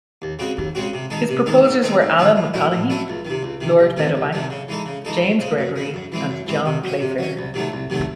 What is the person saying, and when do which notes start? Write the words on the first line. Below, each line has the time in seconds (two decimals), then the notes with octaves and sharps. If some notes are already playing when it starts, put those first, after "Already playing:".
His proposers were Allan Maconochie, Lord Meadowbank, James Gregory, and John Playfair.
0.22 D#2
0.39 C#3 G#3 C4 F#4
0.57 D#2
0.75 C#3 G#3 C4 F#4
0.93 C3
1.10 D#3 G#3 D#4 A4
1.29 C3
1.46 D#3 G#3 D#4 A4
1.64 G#2
1.82 D#3 A3 C4 D#4
2.01 G#2
2.18 D#3 A3 C4 D#4
2.36 A2
2.54 F#3 A3 C#4 E4
2.72 A2
2.90 F#3 A3 C#4 E4
3.08 C#2
3.25 D#3
3.30 C3
3.43 C#2
3.61 C3 D#3
3.79 C2
3.97 C3 D#3 A3
4.15 C2
4.33 C3 D#3 A3
4.50 C#3
4.68 E3 G#3 D#4 A4
4.86 C#3
5.05 E3 G#3 D#4 A4
5.22 F#2
5.40 C#3 G#3
5.58 F#2
5.76 C#3 G#3
5.94 F#2
6.12 E3 G#3 C4
6.29 F#2
6.47 E3 G#3 C4
6.66 C3
6.84 F#3 C#4
7.00 C3
7.18 F#3 C#4
7.37 C2
7.54 C3 D#3 F#3 A3
7.72 C2
7.90 C3 D#3 F#3 A3